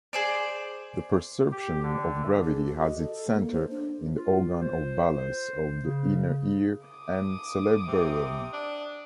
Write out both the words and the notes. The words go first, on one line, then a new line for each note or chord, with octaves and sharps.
The perception of gravity has its center in the organ of balance of the inner ear and cerebellum.
G#4 C5 D5
G4
D3
G#4
F#4
D#5
A4
A#3
C5
D4
F4
C5
C#3
D6 D#6
C3
D4